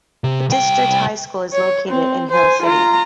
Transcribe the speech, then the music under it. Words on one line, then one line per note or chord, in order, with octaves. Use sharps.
The district high school is located in Hill City.
C3
C2 G5
C#5
C4
C5 G#5
F4 A#5